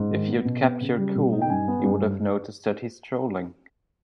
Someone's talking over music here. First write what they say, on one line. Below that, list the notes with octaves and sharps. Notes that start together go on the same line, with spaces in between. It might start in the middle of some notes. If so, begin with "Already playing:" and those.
If you'd kept your cool, you would've noticed that he's trolling.
Already playing: G#2
D#3
B3
B2
B3
C#3
G3
B2
D#4
G5
G2 G#5
B3
G2